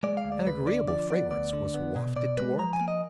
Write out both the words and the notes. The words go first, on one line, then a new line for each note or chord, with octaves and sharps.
An agreeable fragrance was wafted toward them.
G#3 D5
F5
D2
D5
D2 B4
D3 D5
F3 D5
B3 D5
D2 D5
D3
B3
B2
B2 D5
G#3 B4
F3 A#5
G#5
A#3
D#5